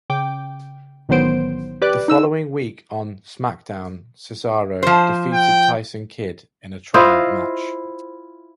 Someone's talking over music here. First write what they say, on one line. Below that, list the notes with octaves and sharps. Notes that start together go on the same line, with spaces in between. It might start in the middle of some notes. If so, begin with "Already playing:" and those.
The following week on "SmackDown", Cesaro defeated Tyson Kidd in a tryout match.
C#3 G5 D6
A1 D#3 F#3 B3 C5 D7
G4 B4 D5 D6 F#6
D#4 E6 E7
F3 C5
G5
E4 F4 C5 D#5